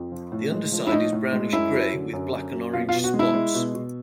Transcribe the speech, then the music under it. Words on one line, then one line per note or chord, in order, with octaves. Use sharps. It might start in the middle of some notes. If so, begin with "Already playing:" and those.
The underside is brownish grey with black and orange spots.
Already playing: F2
F3
A2
G#3
F3
E4
A2 D#4
A2
G#3
F#2 E4
F#3
D3
F#2
F#2
F#3
B2 F4
F4
B2
F#4
G#3
E4
G#3
B2
B2